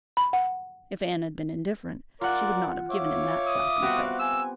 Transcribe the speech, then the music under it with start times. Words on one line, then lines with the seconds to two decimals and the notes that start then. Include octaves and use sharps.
If Anne had been indifferent she would not have given him that slap in the face.
0.17 B5
0.33 F#5
2.21 F4 A#4 D5 F#5 D6
2.90 C#5 E5 F5 D6
3.48 D#6
3.82 B3 C4 F#4 G4
4.20 G#5 E6